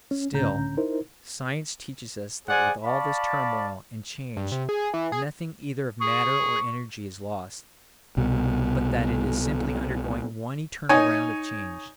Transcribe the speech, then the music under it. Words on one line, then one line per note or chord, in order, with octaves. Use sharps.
Still, science teaches us that with all this turmoil and change nothing either of matter or energy is lost, but that it is simply undergoing one eternal round of change.
C#4
C#2 A2 D3 C#4 A#5 G6
D#4 E4 A#4 C5
G#4 C5 D5 F#5 G#5
D5 F5 A5 B5 C#6
G2
C3
G#4
E3
G#4
G#4 C#6
C2 B2
D#4 C#5 G#5